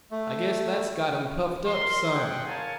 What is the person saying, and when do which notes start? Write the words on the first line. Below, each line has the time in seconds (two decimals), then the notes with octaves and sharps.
"I guess that's got him puffed up some."
0.11 A3
1.66 A#4 C6
2.12 A3 C#4 G#4 F#5 G5
2.47 A#4 C#5 F5 G#5 A5